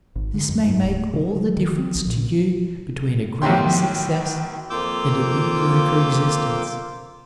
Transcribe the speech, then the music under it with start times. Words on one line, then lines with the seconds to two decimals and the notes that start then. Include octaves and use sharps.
This may make all the difference to you between a grand success and a mediocre existence.
0.16 G#1
0.34 D3
0.49 F#2
0.63 G#2
0.83 D1
0.98 A3
1.13 C#3
1.33 F#3
1.57 D#3
1.79 C4
1.95 B1
2.07 A#2
3.42 B1 A2 D#3 G4 C6
4.70 F2 A#3 F4 D6 E6 G6